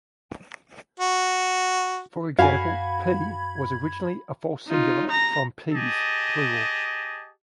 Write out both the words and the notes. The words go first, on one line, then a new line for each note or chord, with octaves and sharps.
For example, "pea" was originally a false singular from "pease" pl.
F#4
F#2 F#4 F5 G#5 B5 G#6
D#4 F4
A#5 A#6
G4 G#4 D#5 A5